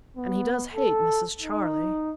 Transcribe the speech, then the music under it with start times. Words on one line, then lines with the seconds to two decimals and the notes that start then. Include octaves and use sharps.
And he does hate Mrs. Charley.
0.17 B3
0.74 A4
1.42 D#4